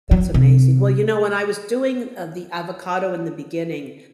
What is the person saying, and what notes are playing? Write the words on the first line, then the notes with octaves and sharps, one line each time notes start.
That's amazing. Well, you know, when I was doing, uh, the avocado in the beginning,
F#3
C3